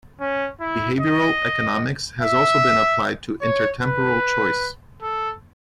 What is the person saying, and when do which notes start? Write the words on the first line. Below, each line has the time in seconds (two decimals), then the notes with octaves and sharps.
Behavioral economics has also been applied to intertemporal choice.
0.20 C#4
0.60 E4
1.01 D#5
2.21 E5
3.41 C#5
3.82 B4
5.02 A4